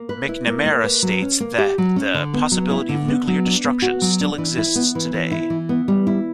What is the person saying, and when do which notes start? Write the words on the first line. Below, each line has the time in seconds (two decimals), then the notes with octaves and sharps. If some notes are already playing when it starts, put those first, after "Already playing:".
McNamara states that the possibility of nuclear destruction still exists today.
Already playing: A#3
0.09 B4
0.29 E4
0.47 A#3
0.66 A#3
0.84 B4
1.03 F#3
1.22 C#4
1.40 A#3
1.58 G4
1.78 F#3
1.96 C#4
2.14 D3
2.34 B3
2.52 F#3
2.71 E4
2.89 D3
3.08 B3
3.27 F#3
3.46 D4
3.64 B3
3.82 F#4
4.02 F#3
4.21 D4
4.38 E3
4.57 E4
4.75 B3
4.95 E3
5.14 E3
5.31 E4
5.50 E3
5.69 B3
5.88 G3
6.07 E4